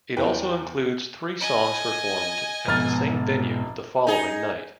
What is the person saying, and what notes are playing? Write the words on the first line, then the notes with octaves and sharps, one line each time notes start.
It also includes three songs performed at the same venue the following night.
E2 E3 B4 G5
D#5 G#5
F1 G#2 B2 F6 A6
D#4 G#4